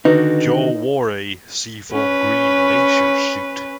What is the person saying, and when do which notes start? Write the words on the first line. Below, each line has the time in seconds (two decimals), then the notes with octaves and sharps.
Joe wore "a seafoam green leisure suit".
0.05 D3 D#3 D#4 F#4 B4
1.92 C#4 B4